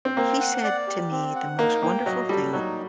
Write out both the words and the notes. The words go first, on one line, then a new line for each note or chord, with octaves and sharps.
he said to me the most wonderful thing.
C4
A#3 C4
F#5
D5
G4
C4
F#5
A#3 D#4
A#3 G5
F#3 D#5
G3 A4
F#3 D#4